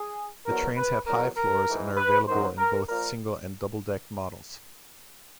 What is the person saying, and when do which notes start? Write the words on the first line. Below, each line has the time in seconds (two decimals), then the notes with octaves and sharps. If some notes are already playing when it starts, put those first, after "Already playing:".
The trains have high floors, and are available in both single- and double-deck models.
Already playing: G#4
0.46 E2 B2 F#3 A#4
0.76 B4
1.07 E2 B2 F#3 A#4
1.37 A#4
1.67 G#2 E3
1.97 B4
2.27 F#2 D#3 F#3 C5
2.58 A#4
2.88 A#2 F3 A#4